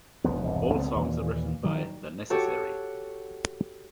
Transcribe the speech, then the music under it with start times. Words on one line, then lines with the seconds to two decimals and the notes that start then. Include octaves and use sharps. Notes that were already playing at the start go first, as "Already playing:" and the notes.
All songs are written by The Necessary.
0.24 E1 G2 F3 B3
0.44 E1 C2 G2
0.74 C#2 D3 B3 C4
0.96 D#2 A#2 E3
1.63 D#3 F#3 G3
2.30 F#4 G4 A4 C#5